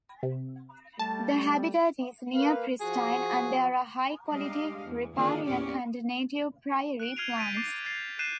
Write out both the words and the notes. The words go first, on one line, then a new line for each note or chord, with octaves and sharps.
The habitat is near-pristine and there are high-quality riparian and native prairie plants.
C3
G3 A3 A5
A#3 B4 F5
F3 F#4 G#4
G3 G#3 D4 G4 D#5 F5
E2
D3 D#3 A#3 D4 F4 G#4
E2 A#2 C#4 G4 D5
F#6 D7
F6 G#6 C7 D#7 F7
G6 A6 B6 D7 D#7
D6 G6 A6 C7 D7 D#7
G6 A6 C7 F7
F#6 G6 C7 D#7 E7